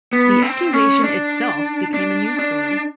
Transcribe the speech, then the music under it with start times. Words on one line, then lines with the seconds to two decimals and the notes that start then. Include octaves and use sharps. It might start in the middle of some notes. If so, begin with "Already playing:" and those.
The accusation itself became a news story.
0.13 B3
0.42 C4
0.73 C#4
1.04 D4
1.94 D4
2.39 D4